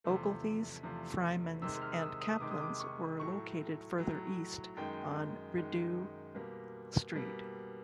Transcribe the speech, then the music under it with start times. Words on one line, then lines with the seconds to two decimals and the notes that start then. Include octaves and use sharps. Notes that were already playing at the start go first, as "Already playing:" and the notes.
Ogilvy's, Freimans and Caplan's were located further east, on Rideau Street.
0.04 E2 C3 F3 A3
0.83 E2 C3 F3 A3
1.62 C3 D#3 G#3 E6
1.82 F6
1.93 D#6
2.01 E6
2.21 D#6
2.40 C3 D#3 G#3 D6
2.51 D#6
2.61 D6
2.80 C#6
3.20 A2 F#3 A3 C#6
3.98 A2 F#3 A3
4.77 F#2 D#3 G#3 G5
5.56 F#2 D#3 G#3
6.35 B2 G3 A#3
7.13 B2 G3 A#3